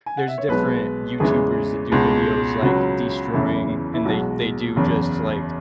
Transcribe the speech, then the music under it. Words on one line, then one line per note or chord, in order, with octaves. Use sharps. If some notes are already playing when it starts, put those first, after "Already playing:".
there's different YouTubers that do videos like destroying and they they do just, like,
G#5
F#5
E5
C#5
B1 B2 G#3 B4
E2 C#3 E3 G#3 G#4
C#2 B2 G#3
C#2 C#3 F#3 F#4
F#1 E2 C#3 E3 E4
E4
B1 B2 G#3 F#4
F#1 E2 C#3